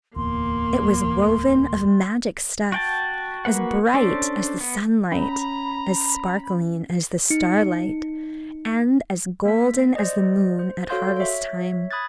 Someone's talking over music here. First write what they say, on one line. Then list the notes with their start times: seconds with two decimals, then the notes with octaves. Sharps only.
It was woven of magic stuff as bright as the sunlight, as sparkling as the starlight, and as golden as the moon at harvest time.
0.16 D1 E2 A#3 C6
2.72 F#4 G5 A5
3.45 A#3 F#4 B4 F#5
3.94 C#4 D4 A4 C5
4.61 B3
5.12 C#4 A#5 B5
7.30 D#4 C#7
9.45 A#3 B6
9.95 C5 D5 D#5
10.59 C5
10.89 F#4 A4 C#5 F5 C6 G6
11.16 C#5 E5
11.91 B5 D#6 F#6 G#6 A6